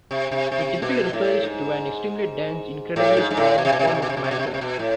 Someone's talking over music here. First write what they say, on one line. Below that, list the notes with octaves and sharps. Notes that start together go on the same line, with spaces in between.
It typically refers to an extremely dense, incredibly strong form of matter.
C3
C3
C3
B2
A2
G#2
A2
G#2
G#2
A2
B2
C3
B2
C3
B2
C3
B2
C3
B2
C3
B2
C3
B2
C3
B2
A2